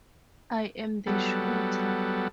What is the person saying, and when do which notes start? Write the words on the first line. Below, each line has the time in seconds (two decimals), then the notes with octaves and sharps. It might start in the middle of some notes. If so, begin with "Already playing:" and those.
I am the shooter.
1.07 F#3 G3 B3 A4